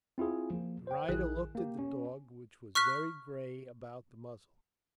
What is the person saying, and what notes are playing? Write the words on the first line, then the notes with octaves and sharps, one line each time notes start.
The rider looked at the dog, which was very grey about the muzzle.
C4 E4 F4 G#4
F3 A#3
C5 G5
A#1 D#3 E4 G#4 F#6
A#3 G4
C#4
C#6 F6 F#6 B6